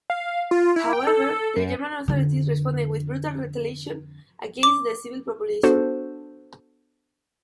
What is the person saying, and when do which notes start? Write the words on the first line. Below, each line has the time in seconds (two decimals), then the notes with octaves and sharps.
However, the German authorities responded with brutal retaliation against the civil population.
0.10 F5
0.51 F4
0.76 E4
0.93 G5
1.07 A4
1.56 F#2
2.08 F2 D3
4.63 D6
5.63 B3 D4 F#4 A4 C5